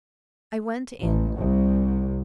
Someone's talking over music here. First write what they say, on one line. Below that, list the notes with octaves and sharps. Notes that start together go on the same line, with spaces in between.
I went in.
A1
C2